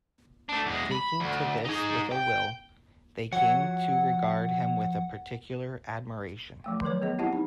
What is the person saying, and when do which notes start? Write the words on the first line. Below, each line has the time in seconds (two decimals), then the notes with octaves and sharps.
Taking to this with a will, they came to regard him with particular admiration.
0.49 A3 D4
0.66 E2 G#3
0.92 B5
1.20 D2
1.65 D#4 G#4
2.12 G5
3.33 F3 F#4 C#5 F#5
6.64 F3 A3 G5
6.82 D#3 F#3 A#4 C#5
7.02 B3 G#4 D#5
7.18 C4 E4 G4 D#5 F#5 A5
7.33 D#4